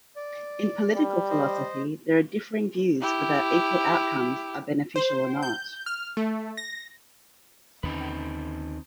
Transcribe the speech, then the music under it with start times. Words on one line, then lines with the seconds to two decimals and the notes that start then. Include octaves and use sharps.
In political philosophy, there are differing views whether equal outcomes are beneficial or not.
0.16 D5
0.95 G3
1.30 C5 D#5
3.01 E4 G4
4.96 C5
5.43 G6
5.86 F6
6.17 A3
6.57 A#6
7.83 D#2 D3 C4 C#4 D#4 B4